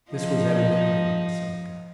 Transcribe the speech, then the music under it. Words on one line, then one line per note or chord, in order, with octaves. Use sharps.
This was evidently the basilica.
F3 D#4